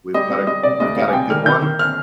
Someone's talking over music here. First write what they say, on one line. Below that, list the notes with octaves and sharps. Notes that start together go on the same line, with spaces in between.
we've got a we've got a good one.
G3 D#5
G3
G3 D#5
C3 D5
D2 D#5
G3 F5
G#5
C3 G5
D#3 F6
D#3 G6
D#3
F6